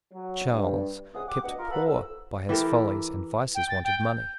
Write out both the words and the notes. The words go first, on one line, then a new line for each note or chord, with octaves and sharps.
Charles, kept poor by his follies and vices, wanted money.
F#3
G2
C#2 C3 G#4 F#5 D#6
G4 F#5 D6
D2 G2 B2 B3 D#5 F#5
F4 A#4
A4 B4 F5 F#5 A#5 B5
C2 F2 E6
E3 G4 A4 A#4
G5
A6
G5
G6